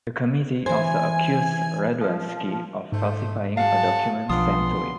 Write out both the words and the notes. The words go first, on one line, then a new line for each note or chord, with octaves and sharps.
The committee also accused Radwanski of falsifying a document sent to it.
E3 C5 G#5
F3
G#2 A3 C5
F#4 G#4 F5 A5
B1 C#3 F3 B3 D4 F4 C6 D#6